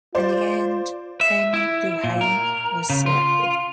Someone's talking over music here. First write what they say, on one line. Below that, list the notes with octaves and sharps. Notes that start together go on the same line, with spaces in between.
In the end, Peng Dehuai was selected.
F4 C5 D5
E5
E4
A#2
A#4
C#3
F4